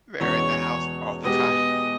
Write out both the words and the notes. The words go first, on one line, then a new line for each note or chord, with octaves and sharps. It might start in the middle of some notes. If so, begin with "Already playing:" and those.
there at the house all the time.
E2 B2 G#3 C#4 C#5
B2 G#3 B3 G4 D#5